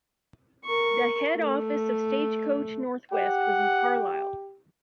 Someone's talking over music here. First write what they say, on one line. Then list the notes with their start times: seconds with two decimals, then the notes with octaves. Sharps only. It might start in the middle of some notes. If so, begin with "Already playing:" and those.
The head office of Stagecoach North West was in Carlisle.
0.65 A#4 C#6
1.36 A3
3.12 G4 F#5